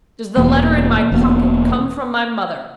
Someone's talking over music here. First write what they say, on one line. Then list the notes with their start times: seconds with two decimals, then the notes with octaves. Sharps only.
"Does the letter in my pocket come from my mother?"
0.37 E1 E2 B2 A#3
1.12 E1 E2 B2 A#3